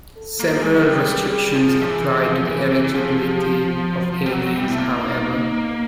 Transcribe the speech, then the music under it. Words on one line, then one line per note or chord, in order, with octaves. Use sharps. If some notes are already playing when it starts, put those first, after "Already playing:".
Several restrictions apply to the eligibility of aliens however.
A4
A#3
G#4
G#3
F#3
G3 G#4
F3
F3
E3
F3
E3
E3
E3
F3 G#4
G4
F#4
G3
F#3
F#3
G3
A3 E4
A#3
D#4